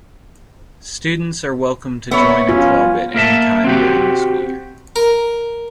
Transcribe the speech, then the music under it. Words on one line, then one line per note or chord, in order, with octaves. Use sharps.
Students are welcome to join a club at any time during the school year.
B3 C#5 E5
C#4 F4
A#3 A#4 E5 A5
C4 F#4 G4
A#4